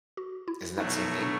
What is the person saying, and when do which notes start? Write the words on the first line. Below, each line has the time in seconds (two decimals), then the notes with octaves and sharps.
isn't that the same thing?
0.17 F#4
0.48 E4
0.77 B2 F#3 A3 D#4
1.22 D4